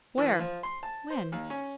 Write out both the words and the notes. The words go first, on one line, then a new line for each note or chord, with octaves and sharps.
"Where? When?"
E3
F3
C6
A5
C5
D#2
C#4